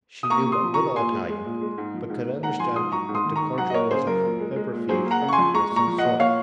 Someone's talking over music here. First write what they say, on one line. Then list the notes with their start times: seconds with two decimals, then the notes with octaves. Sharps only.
She knew but little Italian, but could understand that the cordial was a febrifuge of some sort.
0.23 D#6
0.30 A#3 A#5 C#6
0.47 C3
0.52 C6 D#6
0.63 F3
0.74 A#5 C#6
0.79 C3
0.96 A#2 G#5 C6
1.12 G#3
1.29 G#3
1.45 A#2
1.61 G#3
1.78 G#2
1.94 F3
2.10 G#2
2.27 A#3
2.43 G#2 F#5 A#5
2.59 F3 G#5 C6
2.76 G#2 C6 D#6
2.92 F#3 A#5 C#6
3.09 G#2
3.15 C6 D#6
3.25 D#3
3.36 A#5 C#6
3.42 G#2
3.58 F#3 F#5 A#5
3.70 D#5
3.74 A#3 A#4 C#5
3.91 C#3 G#4 C5
4.07 F#2 A#4
4.24 A#2
4.40 G#3
4.56 G#3
4.72 A#2
4.89 F#3 G#4 C5
5.06 A#3
5.11 F#5 A#5
5.22 C#3
5.29 C#6
5.33 G#5 C6
5.38 F2
5.54 G#3 A#5 C#6
5.71 A#2
5.76 A#5 C#6
5.87 F3
5.98 A#2 D#5 F#5
6.20 A#3 C#5 F5